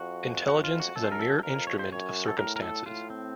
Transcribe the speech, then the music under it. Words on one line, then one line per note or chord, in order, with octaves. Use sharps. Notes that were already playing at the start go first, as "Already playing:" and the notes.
Intelligence is a mere instrument of circumstances.
Already playing: F2 F#4
F2 F#4
F4
F#4
F#2 A4
C5
A#4
A4
A4
F2 A#4
C#5
C5
F#2 C#5
A4
A2 A#4
A#4
A4
A2 F4
C4